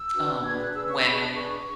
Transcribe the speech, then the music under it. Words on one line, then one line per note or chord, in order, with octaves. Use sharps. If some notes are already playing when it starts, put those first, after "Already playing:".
um, when
Already playing: E6
D4 F#4 B4
D4 G#4 B4 G#6
F#6
D4 G#4 B4 E6
C#6
D4 G#4 B4 B5
A5
D4 G#4 B4 C#6